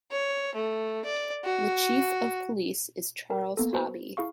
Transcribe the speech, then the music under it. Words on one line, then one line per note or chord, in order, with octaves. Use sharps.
The Chief of Police is Charles Hobby.
C#5
A3
D5
F#4
A#4
A#3 B3 A4
F#4 B4 C5 B5
E4 G#4 F5 C#6